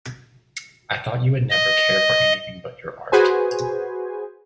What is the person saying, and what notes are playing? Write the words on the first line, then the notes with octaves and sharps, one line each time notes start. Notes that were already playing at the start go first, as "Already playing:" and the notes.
I thought you would never care for anything but your art.
D#5
F#4 G#4 B4 C5 G#5